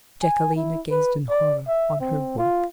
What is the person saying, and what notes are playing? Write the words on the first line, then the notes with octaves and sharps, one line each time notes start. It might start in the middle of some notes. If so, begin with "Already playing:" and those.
Jacquelina gazed in horror on her work.
G#5
E4
B4
D5
E5
C4
F4